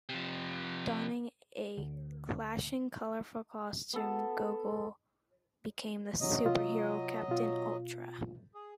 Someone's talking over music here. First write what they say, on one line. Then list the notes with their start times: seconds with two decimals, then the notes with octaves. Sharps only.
Donning a clashing, colorful costume, Gogol became the superhero Captain Ultra.
0.09 C3 F3
1.77 D2
3.93 B3 A4
6.21 F#3 D#5
6.44 C3 F4
7.28 B2 F4
8.55 G#4